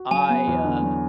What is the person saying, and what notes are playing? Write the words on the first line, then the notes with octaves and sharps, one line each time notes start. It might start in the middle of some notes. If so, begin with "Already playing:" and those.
I, uh,
Already playing: F#4
F#3 G#5
B3
E2
D3
F#3